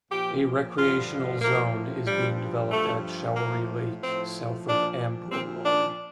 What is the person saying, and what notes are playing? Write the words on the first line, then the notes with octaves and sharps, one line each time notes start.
A recreational zone is being developed at Shaori Lake, south of Ambrolauri.
A#2 F3 G4
G2 D3 F3 F4
A2 F3 A#3
G2 F3 G3
G2 F3 A3
A2 F3 A#3
A2 F3 C4
A#2 F3 D4
A#2 F3 C4
D4